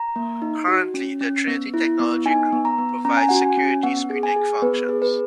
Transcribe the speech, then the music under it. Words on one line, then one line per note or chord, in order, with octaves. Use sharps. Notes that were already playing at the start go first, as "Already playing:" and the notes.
Currently the Trinity Technology Group provides security screening functions.
Already playing: A#5
A#3
D#4
F#4
C#4
C#4
B3
E4
B3
D#4 G#5
B3
A#5
B3
C#4 A#5
G#5
F#4 F#5
G#5
C#4
B3 F#5
G#4
G#5
G#4
B3 B4
G#4
B4